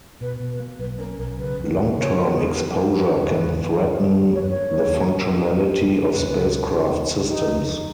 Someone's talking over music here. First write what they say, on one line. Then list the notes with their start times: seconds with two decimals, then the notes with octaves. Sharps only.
Long term exposure can threaten the functionality of spacecraft systems.
0.21 B2 B4
0.40 B2
0.50 B4
0.60 A#3
0.79 B1 B4
0.99 C#4 A#4
1.18 B1 A#4
1.38 C#3 B4
1.59 F2
1.78 F2
1.97 C#3 C#5
2.16 F2 F4
2.26 F#4
2.36 G#3 G#4
2.46 A#4
2.56 F#3 B4
2.76 F#3 A#4
2.95 C#4 B4
3.15 C#4 B4
3.35 G#2
3.55 F#3
3.74 D#3
3.94 D#3
4.14 F#2
4.33 F#2 C#5
4.41 B4
4.49 A#3 C#5
4.72 D#3
4.93 A#3
5.12 A#3
5.31 A#3
5.51 F3
5.71 F2
5.91 A#3
6.11 C#2 B4
6.30 C#2
6.49 B2
6.69 B2
6.89 C#2
7.08 C#2
7.28 F2 D#4
7.47 F2
7.68 F2